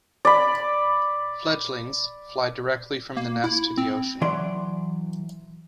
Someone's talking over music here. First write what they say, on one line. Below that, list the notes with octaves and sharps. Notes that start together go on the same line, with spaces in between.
Fledglings fly directly from the nest to the ocean.
D5 B5
A#3
E4
C4
E3 F#3 D5 C6